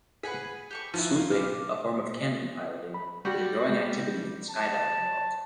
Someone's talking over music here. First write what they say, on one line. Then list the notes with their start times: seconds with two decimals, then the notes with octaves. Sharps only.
"Swooping," a form of canopy piloting, is a growing activity in the skydiving world.
0.23 G#4 B4 F#5 G#5 B5
0.71 G4 A4 C#6
0.94 F3 D#4 E4 F#4 G#5
1.17 F4
1.31 B1 D6 F6
2.94 B5
3.25 G3 F#4
3.69 G#3
4.50 A5